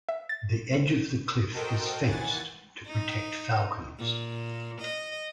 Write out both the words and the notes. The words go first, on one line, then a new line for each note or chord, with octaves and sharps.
The edge of the cliff is fenced to protect falcons.
E5
A6
F#4 A4 A#4 C5 D#5 G5
D#2 E3 F#5 G#5 A6
D#4
A#2
D#5